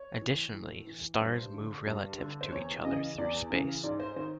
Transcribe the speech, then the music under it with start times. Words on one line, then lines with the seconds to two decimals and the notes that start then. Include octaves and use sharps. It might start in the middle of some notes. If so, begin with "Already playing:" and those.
Additionally, stars move relative to each other through space.
Already playing: C#5
0.21 E3
0.54 A2
0.87 E3
1.20 G2 C5
1.54 D3
1.86 G2
2.18 D3
2.41 C5
2.52 E2 C#5
2.84 C#3 E3 D#5
3.18 E2 D5
3.50 C#3 E3
3.83 G#2 D5
4.00 C5
4.16 D#3 C5